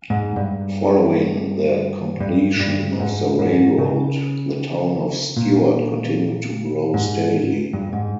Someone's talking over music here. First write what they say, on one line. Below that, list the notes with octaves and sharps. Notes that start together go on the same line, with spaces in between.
Following the completion of the railroad, the town of Stuart continued to grow steadily.
G#2
G2
G2
G2
G#2
G#2
C#3
A#2
G#2
G2
G#2